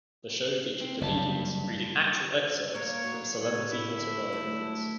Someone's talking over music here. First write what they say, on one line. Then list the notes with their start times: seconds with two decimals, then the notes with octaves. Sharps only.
The show featured comedians reading actual excerpts from celebrity autobiographies.
0.81 C4
1.01 F#1 G2 G3 A5
2.74 A#3 A#4 C#5
3.04 F#3
3.54 A2 D3
3.71 E4
4.32 D2 F#3 A3